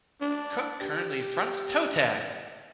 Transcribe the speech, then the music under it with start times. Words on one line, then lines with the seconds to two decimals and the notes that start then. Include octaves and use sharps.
Cook currently fronts Toe Tag.
0.21 D4
0.81 G4